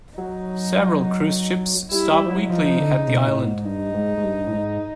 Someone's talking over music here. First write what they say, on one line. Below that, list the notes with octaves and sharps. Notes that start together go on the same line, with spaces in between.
Several cruise ships stop weekly at the island.
F#3 D#4
G3 E4
G3
F3
F#3
F3 D#4
F3
D3
C#3
B2
A2
G#2
G2 D#4
G#2
G#2
G2
A2
G#2